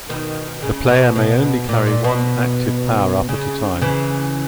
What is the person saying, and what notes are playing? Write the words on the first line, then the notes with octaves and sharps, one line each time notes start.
The player may only carry one active power-up at a time.
B2 D#3
C#3
B2
B2
A#2
A#2
B2
C#3
C#3 E3